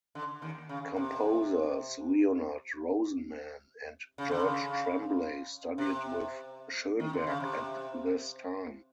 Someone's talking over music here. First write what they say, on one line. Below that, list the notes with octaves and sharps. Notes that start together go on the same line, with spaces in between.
Composers Leonard Rosenman and George Tremblay studied with Schoenberg at this time.
D3
D#2 D#3
C#3
C3
C#3
D3
C#3
C3
D#3
D3
C#3
C3